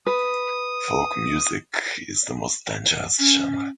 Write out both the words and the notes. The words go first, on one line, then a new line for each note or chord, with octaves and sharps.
Folk music is the most dangerous genre.
B4 D#6
C#4